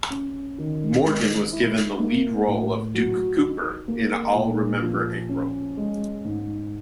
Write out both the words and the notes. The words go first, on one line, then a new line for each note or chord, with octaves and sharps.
Morgan was given the lead role of Duke Cooper in "I'll Remember April".
C#4
D#3
G#3
E4
A#3
A2
F#3
D#4
A#3
A#2
F3
C#4
G#3
G#2